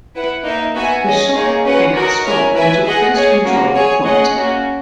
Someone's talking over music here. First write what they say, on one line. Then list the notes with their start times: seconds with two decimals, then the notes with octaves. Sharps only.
The Shock came out strong and took first control of the point.
0.15 E4 B4 F#5
0.44 A#3 D#4 A#4 E5
0.75 B3 F#4 B4 E5 G#5
1.05 C#4 G#4 D#5 G#5
1.35 A#3 D#4 G#4 C#5
1.65 C#4 F#4 B4 F#5
1.95 F#4 A#4 D#5
2.25 E4 A#4 C#5 G#5
2.55 E4 B4 E5 G#5
2.85 G#4 D#5 F#5
3.15 G#4 C#5 G#5
3.45 A#3 C#4 F#4
3.75 G#4 C#5 G#5
4.05 C#4 G#4 D#5 F#5
4.35 A#3 C#4 F#4